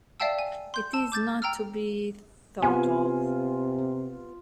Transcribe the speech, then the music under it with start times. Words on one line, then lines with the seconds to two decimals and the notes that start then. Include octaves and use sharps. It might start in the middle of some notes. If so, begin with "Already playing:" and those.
It is not to be thought of.
0.20 D5 E5 F5 G5 A5 E6
0.39 G#5
0.74 C6 G6
0.93 A5 E6
1.12 D6 G6 A6
1.42 G5 A#5 E6 F6
2.62 C3 B3 F4 G#5